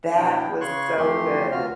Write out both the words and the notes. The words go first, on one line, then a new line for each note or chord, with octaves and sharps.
That was so good.
B2 B3 D4 E4 G5
C#3 C#5 C6 C#6 F#6
F2 E3 A3 G4 C6
D2 C3 F4 F#4 F6